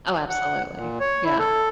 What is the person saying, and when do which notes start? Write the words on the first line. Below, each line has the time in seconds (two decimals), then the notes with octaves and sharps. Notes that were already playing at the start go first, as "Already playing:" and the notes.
Oh absolutely, yeah.
0.29 F#5
0.77 A#2
1.00 C#5
1.24 E4
1.39 A4